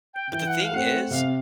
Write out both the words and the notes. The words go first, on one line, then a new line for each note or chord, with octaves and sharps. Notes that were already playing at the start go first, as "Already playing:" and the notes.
Eh, but the thing is,
G5
E3 G5
F#5
F5
A3 C4 F#5
C3 F5